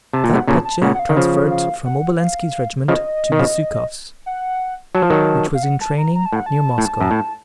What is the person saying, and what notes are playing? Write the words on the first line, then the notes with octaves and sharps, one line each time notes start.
He got Petya transferred from Obolenski's regiment to Bezukhov's, which was in training near Moscow.
C3 A5
A#2
A2 C3 F#5
A#2 C#3 A5
A5
A#2 C#3 F#5
F#5
F5
D#3
C#3 F3 C5
A4
F5
F#5
F5
C#3 F3 D#5
D#3
C#3 F3
F#5
F#3 A5
F3
D#3 F#3
F5
F#5
A5
A#5
A#5
A5
A2
F#5
A5
A2
F#2
A2